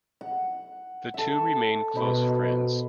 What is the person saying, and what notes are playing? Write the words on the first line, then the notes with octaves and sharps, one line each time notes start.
The two remain close friends.
F#5
A4 E5
B2 C5 D#5 B5